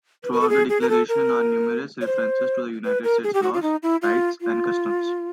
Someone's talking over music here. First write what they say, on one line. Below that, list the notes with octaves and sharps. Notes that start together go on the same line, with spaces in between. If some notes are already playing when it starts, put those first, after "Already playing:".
Throughout the declaration are numerous references to the United States laws, rights, and customs.
B4
A#4
A4
G#4
G#4
A#4
A4
A#4
C#5
C5
B4
A#4
G#4
G4
F#4
F4
D#4
E4
F4
F4